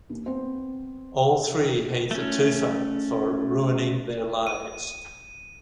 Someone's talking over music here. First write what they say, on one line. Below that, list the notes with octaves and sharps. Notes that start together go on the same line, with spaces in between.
All three hate the Tufa for ruining their lives.
D#2
B3 C4 C5
A3 C#4
D#7